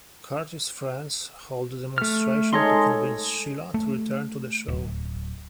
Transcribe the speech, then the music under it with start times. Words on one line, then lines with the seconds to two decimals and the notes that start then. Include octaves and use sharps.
Curtis' friends hold a demonstration to convince Sheila to return to the show.
1.98 A3 F6
2.53 G#3 D#4 A4 C#5 D#5 C6
3.74 A3
4.68 D1